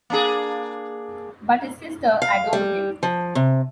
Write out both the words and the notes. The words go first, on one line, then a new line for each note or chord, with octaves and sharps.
But his sister adored him.
A#3 D4 G#4
F5
G3
F3
C3